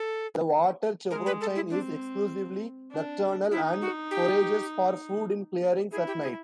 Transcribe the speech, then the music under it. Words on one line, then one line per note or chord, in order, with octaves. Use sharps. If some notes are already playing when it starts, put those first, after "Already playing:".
The water chevrotain is exclusively nocturnal, and forages for food in clearings at night.
Already playing: A4
G#3 A#4
B4
A4
E4
C4 D4
D4
D#4 E4
F#4
G4
E4 G#4
G4
G#4